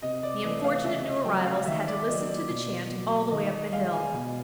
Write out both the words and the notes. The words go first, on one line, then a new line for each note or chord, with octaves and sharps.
The unfortunate new arrivals had to listen to the chant all the way up the hill.
C3 D#5
D5
E3 A3 D#5
F5
C#3 E5
D#5
F#3 A3 G5
F5
D#3 E5
D5
F#3 A#3 D#5
D5
B2
F#3 A#3
D#3 D#5
D#5
G#3 F5
G#5
B2